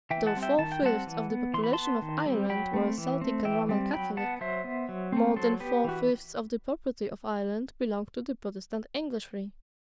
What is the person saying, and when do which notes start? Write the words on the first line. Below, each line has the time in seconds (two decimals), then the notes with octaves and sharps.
Though four fifths of the population of Ireland were Celtic and Roman Catholic, more than four fifths of the property of Ireland belonged to the Protestant Englishry.
0.11 E3 E5 G5
0.27 F#5 A5
0.35 G3 C4
0.42 E5 G5
0.58 D#3 A5
0.72 G5
0.82 G3 C4 F#5 A5
1.07 E3
1.30 B3
1.54 E3 C6
1.64 B5
1.73 B3 A5 C6
2.02 D#3
2.26 G3 C4
2.49 F#3 G5 B5
2.73 A3 C4
2.98 E3
3.21 A3 C4
3.45 E3 E5 G5
3.69 G3 C4
3.93 F#3 G5 B5
4.17 B3 F#5 A5
4.41 F#3 C5 E5
4.64 B3
4.89 F#3
5.12 A3 C4
5.36 F#3 A4 C5
5.60 B3 G4 B4
5.84 E3 F#4